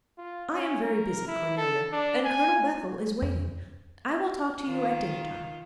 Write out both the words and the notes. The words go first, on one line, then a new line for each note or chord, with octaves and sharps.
I am very busy, Cornelia, and Colonel Bethel is waiting; I will talk to you at dinner-time.
F4
C#4
A#4
E4
A4
D4
G#5
F2
D#3 F4